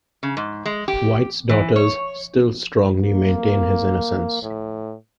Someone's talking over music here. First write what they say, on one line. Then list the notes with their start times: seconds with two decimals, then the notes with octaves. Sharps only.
White's daughters still strongly maintain his innocence.
0.23 C#3
0.37 G#2
0.65 G#3
0.88 G4
1.49 E3
1.76 C#5
3.03 A#3
4.43 A2